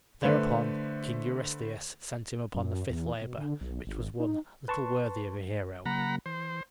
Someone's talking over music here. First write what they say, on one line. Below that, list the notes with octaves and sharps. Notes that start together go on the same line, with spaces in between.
Thereupon King Eurystheus sent him upon the fifth labor, which was one little worthy of a hero.
D3 A3 B4 C5
F#2
E2
B2
D3
B1
G#1
D#4
B4 A5 C6 C#6
C#3 F#3 A#3 F#5 A#5 B5
E3 C5